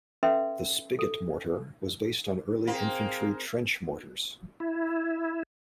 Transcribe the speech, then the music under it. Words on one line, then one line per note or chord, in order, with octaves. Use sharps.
The spigot mortar was based on early infantry trench mortars.
C#4 A4 B4 E5 C6
A4
A#3 C4 G#4 A#4 C5
E4